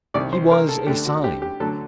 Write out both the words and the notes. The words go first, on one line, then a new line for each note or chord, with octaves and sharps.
He was a Sign.
C2 C3 D#3 D5
C5
A#4
A4
D2 D3 A3 D4 G4
F#4
G4
G4
D2 D3 F#3 A4